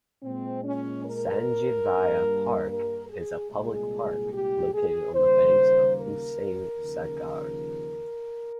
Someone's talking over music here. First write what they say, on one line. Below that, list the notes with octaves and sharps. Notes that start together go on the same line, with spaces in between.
Sanjeevaiah Park is a public park located on the banks of Hussain Sagar.
A#2 G#3 C4
C#4
A#4
G2 G3 A#3
A#4
G#4
C2 A#2 G#3 G#4
G4
G#4
D#2 C#3 G3 A#3 C5
A#4
D#2 C#3 F3